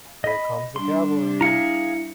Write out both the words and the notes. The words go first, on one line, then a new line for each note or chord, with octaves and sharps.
Here comes the cavalry.
D#5 B5
G3 D4 C6
E4 G#4 F5 A#5 C#7